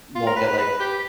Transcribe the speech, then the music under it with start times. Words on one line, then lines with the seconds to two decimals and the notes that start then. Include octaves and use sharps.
won't get like
0.15 F4
0.27 A#4
0.36 B4
0.48 B4
0.58 B4
0.80 G4